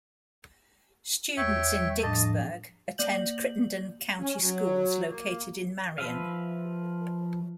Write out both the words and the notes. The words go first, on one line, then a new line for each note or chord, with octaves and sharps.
Students in Dycusburg attend Crittenden County Schools located in Marion.
E2 C#5 E5 G5
G3
A2 F3 D4 D#5 A5
A#3 D5 G6 F#7
C#4
F#3
A#3
F3 B4 E5 F5